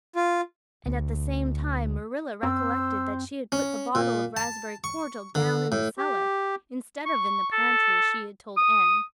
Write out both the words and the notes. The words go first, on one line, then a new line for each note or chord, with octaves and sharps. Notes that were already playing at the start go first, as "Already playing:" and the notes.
And at the same time Marilla recollected that she had put the bottle of raspberry cordial down in the cellar instead of in the pantry as she had told Anne.
F4
D2
F#2 C4 C5 E6
C#4
A#2
A5
C#6
D3
A2
G4
C#6
A4
D#6